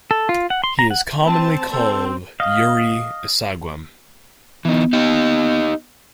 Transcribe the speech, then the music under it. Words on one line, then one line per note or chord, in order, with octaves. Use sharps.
He is commonly called Yuri Isageum.
A4
F4
F#5
C6
A#5
F#5
C4 A5
C4 A4 C5
D#5 F5
E3 B3 D#4
D#4 G4